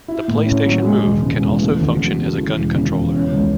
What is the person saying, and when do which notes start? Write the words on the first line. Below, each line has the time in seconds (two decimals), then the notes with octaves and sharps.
The PlayStation Move can also function as a gun controller.
0.08 E4
0.28 A2
0.46 C#4
0.66 F#3
0.84 G#3
1.04 E1
1.22 C#3
1.42 E2
1.61 A3
1.80 D2
1.99 F#3
2.18 C#3
2.36 E3
2.55 E1
2.75 C#3
2.95 E2
3.14 C#4
3.33 C#2